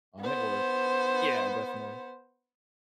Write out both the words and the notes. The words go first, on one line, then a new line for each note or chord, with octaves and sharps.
um, it worked. Yeah, definitely.
B3 C5